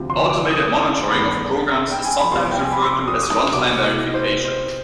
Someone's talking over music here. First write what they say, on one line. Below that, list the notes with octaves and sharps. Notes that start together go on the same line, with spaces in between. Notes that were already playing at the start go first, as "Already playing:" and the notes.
Automated monitoring of programs is sometimes referred to as runtime verification.
Already playing: D2 C3 F3
C6
D6
D#6
D6
G2 D#3 B3 B5
G5
G#5
B5
C2 C3 F3 B3 C6
G5
G#5
B5
C6
D6
D#6
D#6
D6
C2 B2 B3 D6
D#5
C5
C5